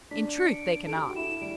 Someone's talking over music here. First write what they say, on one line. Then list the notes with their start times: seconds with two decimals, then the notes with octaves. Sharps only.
In truth they cannot.
0.11 D4 B6
0.38 C#7
0.50 D7
0.86 A4
0.96 G4
1.06 F#4
1.16 E4 E7
1.41 G3 D7